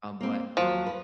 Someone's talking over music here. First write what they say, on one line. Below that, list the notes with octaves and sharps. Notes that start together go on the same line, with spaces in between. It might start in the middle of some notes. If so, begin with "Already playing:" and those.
um, but
A#3 C4
D#2 F3 F#3
B4